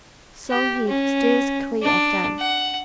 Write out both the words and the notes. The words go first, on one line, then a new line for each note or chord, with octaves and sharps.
So he steers clear of them.
G4
C#4
D4
F#5